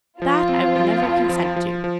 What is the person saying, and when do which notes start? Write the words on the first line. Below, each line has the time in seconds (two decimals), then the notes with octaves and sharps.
THAT I will never consent to.
0.21 F3 F4
0.49 C4
0.76 F3
1.03 F2
1.29 F3
1.56 F3
1.84 F3